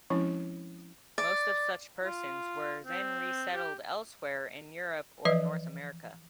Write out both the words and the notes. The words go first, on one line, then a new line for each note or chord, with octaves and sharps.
Most of such persons were then resettled elsewhere in Europe or North America.
F3 G#3 C4 C#4 E4
D5
F4
C4
G4
E3 F3 B4 D#5 E5